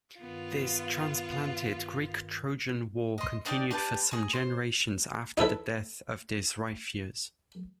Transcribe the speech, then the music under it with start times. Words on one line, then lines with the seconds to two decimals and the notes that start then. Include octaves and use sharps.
This 'transplanted' Greek-Trojan war continued for some generations after the death of this Ripheus.
0.20 G2 D#3 B3 F4
3.18 D#5 C6
3.45 D4 D#4 G4 D5
3.71 D4 G4 B4 A5
4.11 G#4 A#5
4.33 C5
5.38 D#4 E4 A4 B4